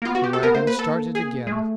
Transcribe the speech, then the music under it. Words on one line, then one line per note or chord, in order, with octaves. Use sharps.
The wagon started again.
A#3
B3 F4
F#4
G4
A4
B3 A#4
A3 C5
A#3
B4
B3
A#3 A4
G#4
G#3
A3